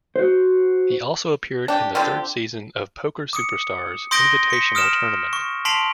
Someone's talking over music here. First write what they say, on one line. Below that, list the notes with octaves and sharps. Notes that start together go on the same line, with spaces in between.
He also appeared in the third season of "Poker Superstars Invitational Tournament".
F#4 C5
D4 G4
D3 F3 C4 G4
D6 D#6 C#7
C6 D#6 G6 A#6 D7 G7
B6 C#7
D#6 F6 D7 E7
C#6
A5 C6 B6 C7 D7 F7